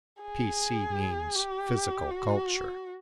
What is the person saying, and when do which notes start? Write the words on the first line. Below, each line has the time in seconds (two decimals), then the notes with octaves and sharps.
P.C. means physical culture.
0.22 G#4
1.35 G4
2.10 F#4